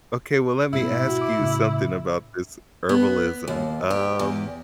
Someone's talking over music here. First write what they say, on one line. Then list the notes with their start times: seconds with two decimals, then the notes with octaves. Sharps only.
Okay, well, let me ask you something about this herbalism. Um,
0.73 G#2 B2 E4
1.09 F#4
1.21 D6
1.39 A2 C#3
2.89 B3
3.48 D#2
3.90 G4
4.19 E2